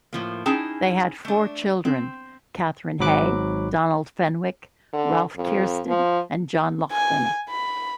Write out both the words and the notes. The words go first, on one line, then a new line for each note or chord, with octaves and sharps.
They had four children : Katherine Hay, Donald Fenwick, Ralph Keirstead and John Lauchlan.
A2 F3 A#3
C#4 D#4 E4 G#4 G5 A5
A3 D4
C4
G#1 G#2 F#3 B5 D6 F#6
D3
F2
F3
G#5
B5